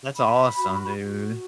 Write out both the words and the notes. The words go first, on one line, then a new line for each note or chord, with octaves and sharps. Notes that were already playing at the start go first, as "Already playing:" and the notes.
That's awesome, dude.
B5
F#4
F#4